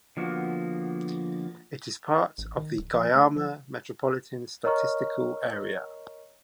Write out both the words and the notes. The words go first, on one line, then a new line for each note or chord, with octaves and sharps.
It is part of the Guayama Metropolitan Statistical Area.
D3 F3 A#3 B3 F#4
A1
D#3
D1
F3
A3
F3
A#4 C#5 D#5 A#5 C#6 F6